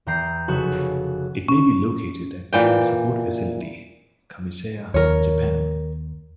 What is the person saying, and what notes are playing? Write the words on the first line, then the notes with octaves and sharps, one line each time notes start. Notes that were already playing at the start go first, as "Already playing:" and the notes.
It may be located at Naval Support Facility Kamiseya, Japan.
E2 E3 G5 A#5 G6 C7
F1 C#3 F#4 A4 B4 F#6
C#4
A#2 E3 G5
D#2 A#4 C#5